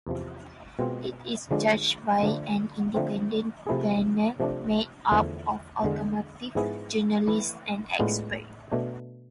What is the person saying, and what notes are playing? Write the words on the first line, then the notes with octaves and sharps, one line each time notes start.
It is judged by an independent panel made up of automotive journalists and experts.
E2 C3 F3
B2 G#3 C4 F4
D3 F3 G#3 D4 F4
D3 F3 A3 D4
D3 F3 A3 C4
C3 F3 A3 E4 G#4
C3 F3 A3 D4
E2 D3 F3 A3
E2 D3 G#3
G#2 F3 B3 E4 G#4
E3 A3 E4
A2 G#3 B3 D4 F4
B2 A3 D4